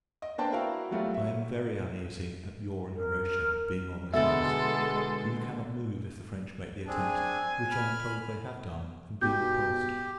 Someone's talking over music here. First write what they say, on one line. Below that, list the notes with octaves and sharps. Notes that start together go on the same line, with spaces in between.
I am very uneasy at your and Horatia being on the coast: for you cannot move, if the French make the attempt; which, I am told, they have done, and been repulsed.
D#5
A#3 D4 B4 C5 G5 A5
E4 F#4 A#4 F5 G5
F#3 G3 A3 F4 F#4
E5
A#4
B2 D3 G#3 B3 A4 E5 C6
C4 D4 G#4 G#5
B5 F6
B2 G4 G6